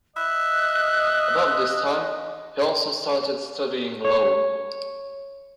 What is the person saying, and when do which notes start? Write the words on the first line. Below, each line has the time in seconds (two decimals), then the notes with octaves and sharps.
About this time he also started studying law.
0.16 D#5 E5 F#6
4.05 C#5